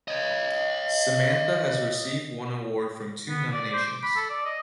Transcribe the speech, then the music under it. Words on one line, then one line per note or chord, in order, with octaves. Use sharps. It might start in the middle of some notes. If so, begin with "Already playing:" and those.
Samantha has received one award from two nominations.
C#5 D#5
B3
D5
C5
D6
B5
A4
D5
D#5